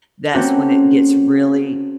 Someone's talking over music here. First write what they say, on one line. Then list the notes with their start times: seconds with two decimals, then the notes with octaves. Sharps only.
that's when it gets really
0.34 A#3 C4 C#4 F#4 G4 A4